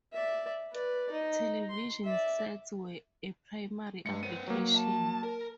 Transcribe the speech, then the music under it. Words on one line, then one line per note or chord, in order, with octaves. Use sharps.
Television sets were a primary application.
D5 E5
B4 D5
D#4
C6
D5 E5
G2 G#3 C#7
B3 C5 D#7
F#3 A#3
A5
A#4